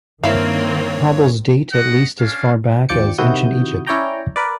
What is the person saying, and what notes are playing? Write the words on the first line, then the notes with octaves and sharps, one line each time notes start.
Hobbles date at least as far back as Ancient Egypt.
G2 D#3 A#3 C4 E4 C#5 F5
F#4 D#5 F#5
C#4 D4 F5
D#2 F3 D5 G5 D6 C#7
C3 D#3 E4 F#4 D#6 G6
C#4 E4 C#5 D5 G5 A#5
A#4 B4 D5